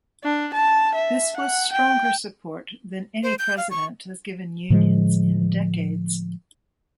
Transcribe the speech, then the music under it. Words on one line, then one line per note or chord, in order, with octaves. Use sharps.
This was stronger support than any president has given unions in decades.
D4
A5
E5
F#5
G5
C5
G6
F5
C#6
A2 D3 F3 G#3